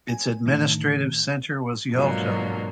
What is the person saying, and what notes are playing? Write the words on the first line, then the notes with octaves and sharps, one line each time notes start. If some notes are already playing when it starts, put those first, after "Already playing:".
Its administrative centre was Yalta.
G#5
A2 D3 D#3
G#2 B2 D3 F3 F#3 A#3